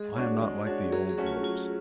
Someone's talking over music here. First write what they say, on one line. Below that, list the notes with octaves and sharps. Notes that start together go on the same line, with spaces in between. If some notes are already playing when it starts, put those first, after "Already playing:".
I am not like the old Popes.
Already playing: G#3 G#4
D4 F#4 C#5
G#3
D4 F#4 C#5
F#3 G#4
G#4
A3 C#4 F#4
F4
F#3 F4